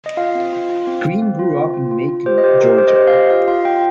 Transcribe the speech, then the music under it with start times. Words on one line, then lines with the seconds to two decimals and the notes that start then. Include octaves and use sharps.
Greene grew up in Macon, Georgia.
0.06 D#5
0.17 F4 F5
0.35 C4
0.53 F4
0.70 F4
0.87 C4
1.04 C4
1.22 C4
1.39 F4
1.56 C4
1.74 F4
1.91 F4
2.09 F4
2.26 G4 C5
2.38 D#5
2.44 G4 C5
2.61 G4 A#4
2.78 G4 C5
2.88 D#5
2.96 G4 C5
3.07 F5
3.13 G4 D#5
3.30 F4 F5
3.48 F4 F5
3.65 F4 G5